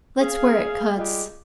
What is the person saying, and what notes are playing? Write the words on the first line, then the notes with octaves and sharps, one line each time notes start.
That's where it cuts.
G#4 F5
G3 G#3 F4 G4